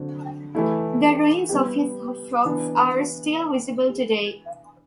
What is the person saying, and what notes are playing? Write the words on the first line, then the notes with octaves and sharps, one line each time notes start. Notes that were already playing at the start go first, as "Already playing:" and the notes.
The ruins of his shops are still visible today.
Already playing: D3 F#3 C4
E3 A3 E4
G3 B3 E4 G4
E3 B3 D4